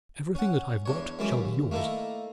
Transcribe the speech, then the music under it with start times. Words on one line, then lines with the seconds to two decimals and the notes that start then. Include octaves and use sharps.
Everything that I've got shall be yours.
0.35 C#4 F#5
0.86 E2 D4 C#5
1.19 F#2 E3 G#3 C#4 A5 D6
1.37 D#2
1.71 A3 A#3 D#4 E4 A4